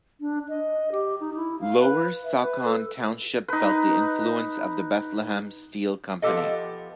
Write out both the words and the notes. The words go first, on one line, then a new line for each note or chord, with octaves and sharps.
Lower Saucon Township felt the influence of the Bethlehem Steel Company.
D4
D#5
G4
D#4
E4
F5
B4
E5
B4
A4
D#4 B4
F3 B3 G4 A4 D#5